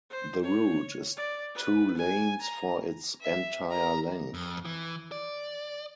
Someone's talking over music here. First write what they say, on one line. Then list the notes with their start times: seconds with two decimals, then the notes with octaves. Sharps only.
The route is two lanes for its entire length.
0.10 C5
0.44 C#5
1.17 D5
1.55 B4
1.97 G#5
2.42 A#5
3.21 E5
3.69 A#4 A#5
4.34 F2
4.65 E3
5.12 D5